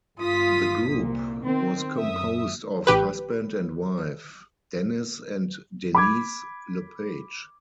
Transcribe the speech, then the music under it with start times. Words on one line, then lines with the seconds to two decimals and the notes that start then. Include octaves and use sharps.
The group was composed of husband and wife Denis and Denyse LePage.
0.19 G1 F4 D#6 B6
0.89 C2 A#2
1.44 D#3 C4
1.99 F#2 E5 D#6
2.87 A1 G4 B4
5.95 B5 D6 G#6